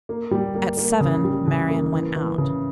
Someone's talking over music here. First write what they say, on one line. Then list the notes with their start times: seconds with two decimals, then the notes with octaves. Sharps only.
At seven, Marian went out.
0.09 A#3
0.31 G3
0.55 A#3
0.77 A#3
1.00 C#3
1.24 G3
1.47 C#3
1.70 A#3
1.93 E3
2.16 E3
2.38 C#3